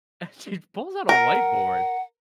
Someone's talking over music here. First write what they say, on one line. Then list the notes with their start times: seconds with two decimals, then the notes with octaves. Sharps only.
and she pulls out a whiteboard
1.09 A#4 F#5